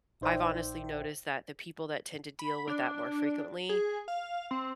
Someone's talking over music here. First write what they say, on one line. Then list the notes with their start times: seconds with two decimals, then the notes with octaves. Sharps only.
I've honestly noticed that the people that tend to deal with that more frequently
0.21 A#1 D#4 C5 D5 E5 G5
2.39 B5
2.68 D4
3.69 G#4
4.08 F5
4.51 C4